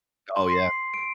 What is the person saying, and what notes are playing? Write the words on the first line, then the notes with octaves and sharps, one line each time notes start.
Oh, yeah.
C6
C7
D7